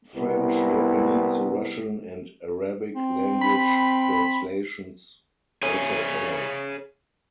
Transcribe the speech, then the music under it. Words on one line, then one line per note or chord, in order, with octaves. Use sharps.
French, Japanese, Russian, and Arabic language translations also followed.
C2 B3 E4 A#4
C4
B5
G#4 C#5 E5 G#5